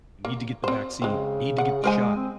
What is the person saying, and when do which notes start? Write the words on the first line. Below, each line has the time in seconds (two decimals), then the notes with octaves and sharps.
I need to get the vaccine, I need to get the shot,
0.25 A#3
0.64 C4 C5
1.02 C#3 G#3 C4
1.58 F#5
1.84 G#3 A#4 C5 G#5
2.16 C4